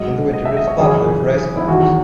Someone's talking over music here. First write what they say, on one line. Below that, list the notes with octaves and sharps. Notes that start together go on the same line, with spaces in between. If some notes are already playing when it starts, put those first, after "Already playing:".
In the winter it is popular for ice-climbers.
Already playing: G#2 F#3 D#5
D#5
E5
D#5
C#5
F#2 C#3 E3 G#4
E4
E2 D#3 F#3 F#4